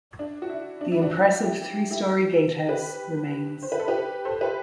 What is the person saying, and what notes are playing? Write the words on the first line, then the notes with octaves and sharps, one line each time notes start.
The impressive three storey gatehouse remains.
D4
F#4
E4
D4
E4
D4 F#4
E4 G4
E4 G4
G4 B4
C5
B4
A4
G4 B4
A4 C5
G4 B4